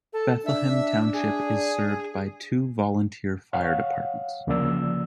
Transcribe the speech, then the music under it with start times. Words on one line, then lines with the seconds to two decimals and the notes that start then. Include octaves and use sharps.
Bethlehem Township is served by two volunteer fire departments.
0.13 A4
0.46 D4 E5
1.13 G#4
3.53 C#5 F5 F#5
4.47 D2 C#3 F3 A#3 D5 E6